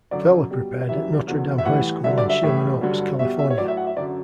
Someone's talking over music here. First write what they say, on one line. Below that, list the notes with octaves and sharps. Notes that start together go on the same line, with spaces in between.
Vella prepped at Notre Dame High School in Sherman Oaks, California.
F#2 D3 F#3 D5
B2 G3
F#2 E3 G3 E5
E2 D3 F#3
E5
A2 E3 G3 F#5
G2 D3 F#3 E5
D5
E5
A2 E3 G3
G2 D3 F#3
B2 G3 E5
E5
C#5
A2 F#3 D5
E5
F#5
E5
F#2 D3 F#3 D5